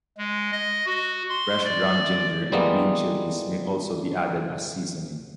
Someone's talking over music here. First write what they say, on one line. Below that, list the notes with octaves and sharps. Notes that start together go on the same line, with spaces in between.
Fresh ground ginger and green chillies may also be added as seasoning.
G#3
D#5
F#4
C6
D5
E3 G3 G#3 A#3 B3